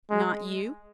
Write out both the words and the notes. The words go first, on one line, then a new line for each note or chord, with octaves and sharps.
"Not you?"
G#3